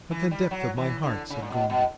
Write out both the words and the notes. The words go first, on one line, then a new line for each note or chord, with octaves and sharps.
"From the depth of my heart," said Gondy.
E3
G3
F#3
E3
D3
C#3
A#2
B2
B2